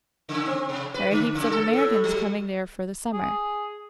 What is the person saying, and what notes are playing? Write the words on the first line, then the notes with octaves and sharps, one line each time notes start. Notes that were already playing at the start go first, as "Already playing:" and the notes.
There are heaps of Americans come there for the summer.
C#3
C4
C3
B4
D3
C#3
A4
A2
F#3
G#4